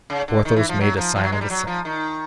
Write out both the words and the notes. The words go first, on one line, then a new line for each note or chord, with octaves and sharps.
Porthos made a sign of assent.
C#3
D3
D#3
E3
F3
F#3
F3
F3
F#3
G#3
G3
F#3
F3
D#3